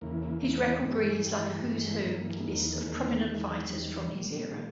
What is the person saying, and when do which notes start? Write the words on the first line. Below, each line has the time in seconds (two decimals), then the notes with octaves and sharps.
His record reads like a "who's who" list of prominent fighters from his era.
0.01 E2 C#3 E3 A#3
0.42 E2 C#3 E3
0.82 G2 E3 G#4
1.24 G2 E3 G4
1.64 G2 E3 G#3
1.85 G#3
2.05 G2 E3 A#3
2.38 G#3
2.46 E2 D#3 A#3
2.76 G#3
2.87 E2 D#3 A#3
3.27 E2 D#3 G#3
3.68 E2 D#3 G3
4.10 A#2
4.49 A#2 G#3